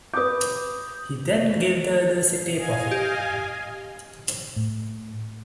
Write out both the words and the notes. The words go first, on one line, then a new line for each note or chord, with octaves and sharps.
He then gave the others a tape of it.
B4 D6 D#6 G6
D#5 F5 G#5
G4
A2